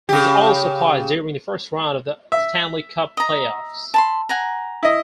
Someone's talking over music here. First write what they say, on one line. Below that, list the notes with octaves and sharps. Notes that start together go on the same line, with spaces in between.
This also applies during the first round of the Stanley Cup playoffs.
C#3 G4
E5
D#5 A#5
A5 B5 C6
F#5 G#5 A#5
E4 D#5